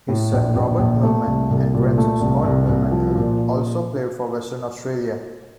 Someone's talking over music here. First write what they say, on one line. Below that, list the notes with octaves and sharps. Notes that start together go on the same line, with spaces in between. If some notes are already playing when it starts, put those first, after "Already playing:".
His son Robert Meuleman and grandson Scott Meuleman have also played for Western Australia.
A2
A#1
A#1
A#1
A3
C2
C2
A#2
A3
C2
C2
C2
F3
A#2